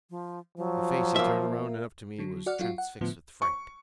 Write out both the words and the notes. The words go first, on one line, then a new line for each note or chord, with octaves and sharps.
The face he turned round and up to me was transfixed with fright.
F3
F3 F#3
A#3 E5
D3 F#3
F#4 D5 F#5 F6
F#3 F4 F#4
F#5
A2 D3 F3 B3
C#6